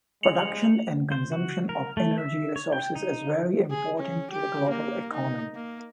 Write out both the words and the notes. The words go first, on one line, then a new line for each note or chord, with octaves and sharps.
Production and consumption of energy resources is very important to the global economy.
G#3 C#7 F7 F#7
C5
F#4
A#4
A3
E5
C#5
G5
D#4
G#4
C#4
G4
A#3
D#4
A#3